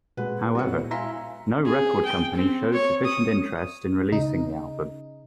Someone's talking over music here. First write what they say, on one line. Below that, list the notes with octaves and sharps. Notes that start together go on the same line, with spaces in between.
However, no record company showed sufficient interest in releasing the album.
A#2 G#3 F#4 B4
F#3 B3 E4 B4 C#7
E4 F5 G#5 A#5 C6 B6
G#4
G5
C4
C#5
D#6
C#3 D#4